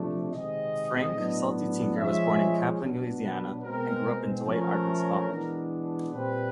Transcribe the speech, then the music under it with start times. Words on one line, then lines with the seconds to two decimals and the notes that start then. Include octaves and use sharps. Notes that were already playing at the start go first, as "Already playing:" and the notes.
Frank "Salty" Tinker was born in Kaplan, Louisiana, and grew up in DeWitt, Arkansas.
Already playing: C3 F3 A3 D4
0.31 C3 D#3 G#3 C4 D#5
1.14 A2 F#3 B3 D4
1.97 F3 G#3 C#4 E5
2.81 B2 F#3 B3 D4
3.22 B4
3.62 B2 G#3 C4 A#4
4.46 F3 A3 C#4 A#4
5.28 E3 G#3 B3 D4
6.11 A#2 G3 C4 B4